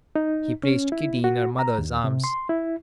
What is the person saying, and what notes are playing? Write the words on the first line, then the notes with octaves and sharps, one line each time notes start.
He placed Kitty in her mother's arms.
D#4
C#4
E4
F#4
A#5
D#2
C3
C6
E4